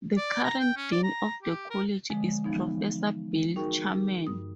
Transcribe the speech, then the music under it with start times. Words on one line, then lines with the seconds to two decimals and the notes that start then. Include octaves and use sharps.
The current Dean of the College is Professor Bill Charman.
0.17 D5
0.44 A#5
0.60 G5
0.77 C#4
0.92 D5
1.04 A#5
1.43 G4
1.70 A#4
2.10 D3 F3 G#3
2.44 E3 F3 B3 D#4
3.56 D#4 F#4 G#4 A#4 G5 C#6
4.27 G2 D#6